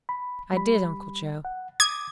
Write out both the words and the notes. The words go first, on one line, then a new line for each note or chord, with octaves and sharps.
"I did, Uncle Joe."
B5
G3 B5
F#5
D6 D#6 G#6